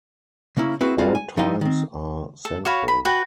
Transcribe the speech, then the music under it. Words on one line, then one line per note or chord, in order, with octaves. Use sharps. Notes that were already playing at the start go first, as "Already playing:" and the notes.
All times are Central.
C#3 A#3 C#4 E4
A#3 C4 E4 F#4 G#4 B4
G3 C4 F4 F#4 G#4 A4
G#5
F3 D#4 E4 D#5 F5 G5
D#3 C4
A4
F#4 C#5 F5 B5
B5
F#4 B4 G5